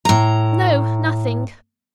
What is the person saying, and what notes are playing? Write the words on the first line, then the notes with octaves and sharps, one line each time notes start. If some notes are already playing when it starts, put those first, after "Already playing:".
'No, nothing.
A2 A#5